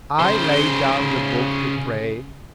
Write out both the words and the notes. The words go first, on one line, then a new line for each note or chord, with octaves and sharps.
I laid down the book, to pray.
C#3 C5